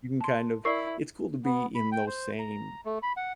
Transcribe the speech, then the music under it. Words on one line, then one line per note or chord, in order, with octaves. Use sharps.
you can, kind of it's cool to be in those same
A5 C6
E4 A#4 D5 C#6 C7
B3
B5
G5
C5
A#5
A3
B5
F#5